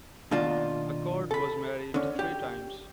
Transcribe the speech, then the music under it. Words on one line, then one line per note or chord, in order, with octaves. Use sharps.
Acord was married three times.
B2 D#3 A#3 D4 F4
A4 B5
D3 C#4
G4